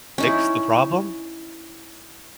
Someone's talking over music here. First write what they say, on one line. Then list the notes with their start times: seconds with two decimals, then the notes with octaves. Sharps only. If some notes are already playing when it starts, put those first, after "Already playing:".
Fix the problem?
0.18 C#4 D#4 E4